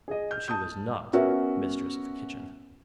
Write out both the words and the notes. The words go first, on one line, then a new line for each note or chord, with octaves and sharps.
But she was not mistress of the kitchen.
G#4 D#5
F6 G6
A5 D#6 G6
B3 C#4 F#4 A#4 E5